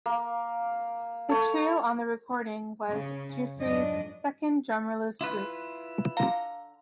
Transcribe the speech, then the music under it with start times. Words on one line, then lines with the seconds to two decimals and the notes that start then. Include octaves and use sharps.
The trio on the recording was Giuffre's second drummerless group.
0.06 A#3
1.29 A4 C#5
2.90 C#3
3.60 F2 G#2 F#3 D4 D#5
5.21 E4 F4 B4
6.17 D3 F5 A#5